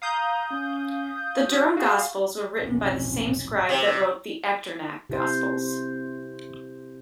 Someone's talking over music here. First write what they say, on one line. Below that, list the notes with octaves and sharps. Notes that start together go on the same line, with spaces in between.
The Durham Gospels were written by the same scribe that wrote the Echternach Gospels.
F5 A#5 D#6 G6
C#4
F#4
F#4 G#4 F5
F1 B1 F2 A2 C3 C#4
C3
C3 E4 C5